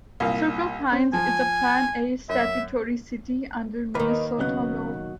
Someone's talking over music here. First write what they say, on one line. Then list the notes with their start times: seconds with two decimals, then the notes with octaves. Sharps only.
Circle Pines is a Plan A statutory city under Minnesota law.
0.20 C2 A#2 F5
0.92 C4 C#4
1.13 F3 G#5
2.29 F#2 E5
3.95 D#2 D#3 A#4 B4
4.39 B1 C#3 F#3 B3 F#4 F#6